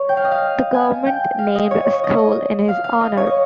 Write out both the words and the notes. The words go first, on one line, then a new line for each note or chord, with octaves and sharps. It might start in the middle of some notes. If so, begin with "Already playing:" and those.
The government named a school in his honor.
Already playing: C#5
G5
F5
D#5
F5
G#5
G5
F5
D#5
C#5
C#5
D#5
F5
F5
D#5
C#5
D#5